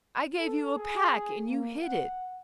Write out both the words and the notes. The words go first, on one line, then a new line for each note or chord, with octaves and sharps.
I gave you a pack and you hid it.
A4
G#4
A#3
F#5